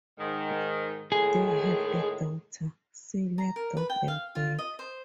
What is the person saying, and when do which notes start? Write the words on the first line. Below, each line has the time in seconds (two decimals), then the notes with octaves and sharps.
They have a daughter, Celia Dovell Bell.
0.19 G#2 D#3
1.12 A2 D#3 G#3 G#4
3.38 A#5
3.56 A#4
3.77 B4
3.90 G5
4.08 F5
4.35 F4
4.58 D#5
4.79 C5